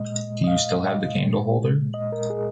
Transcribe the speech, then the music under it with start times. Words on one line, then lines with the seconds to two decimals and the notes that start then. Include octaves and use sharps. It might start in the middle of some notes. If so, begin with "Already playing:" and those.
Do you still have the candle holder?
Already playing: A#2 G#3 D#5
0.44 D#5
0.47 F5
1.20 A#2 G#3
1.94 D#5
2.12 A#4
2.30 G#4